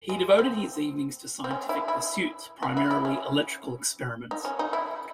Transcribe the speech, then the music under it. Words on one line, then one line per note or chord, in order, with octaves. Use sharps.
He devoted his evenings to scientific pursuits-primarily electrical experiments.
G#3
C4
C4
C#4
E4
E4
F#4
E4
E4
C#4
D#4
C#4
D#4
E4